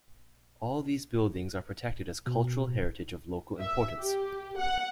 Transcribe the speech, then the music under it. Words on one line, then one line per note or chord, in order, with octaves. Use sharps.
All these buildings are protected as cultural heritage of local importance.
B2
E5
G4
F#5